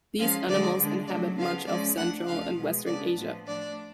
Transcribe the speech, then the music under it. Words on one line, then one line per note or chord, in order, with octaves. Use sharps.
These animals inhabit much of central and western Asia.
F3 G#3 C#4 F5
D3 F3 G#3 D5
D3 G#3 D4
C#3 F#3 A3 D4 D5
C#3 F3 B3 F5
F3 G#3 C#4 D5
F3 A3 D4 F#5
C#3 F3 A3 D4 F5
B2 G#3 B3
C#3 G#3 B3 D4 D5
A2 F3 B3
F3 A3 D4 D5